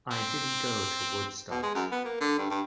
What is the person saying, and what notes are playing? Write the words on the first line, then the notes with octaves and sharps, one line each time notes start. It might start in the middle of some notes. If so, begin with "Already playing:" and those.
I didn't go to Woodstock.
C4
B2
G#3
F#2
B3
A#3
D3
G2
G2